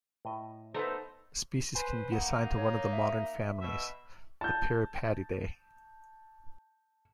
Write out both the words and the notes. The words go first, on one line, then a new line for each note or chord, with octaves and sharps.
The species can be assigned to one of the modern families, the Peripatidae.
A2 D#5
A3 B3 D#4 A4 C5 A#5
B4 C5 G#5
A#3 D#4 F#5
C#5
E5
B2 E5
A5 G6